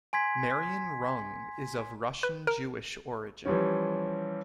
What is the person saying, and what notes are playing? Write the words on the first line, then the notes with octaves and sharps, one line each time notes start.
Marion Rung is of Russian Jewish origin.
G#5 C6 G#6 B6
B4
A#4
E3 F3 G3 C#4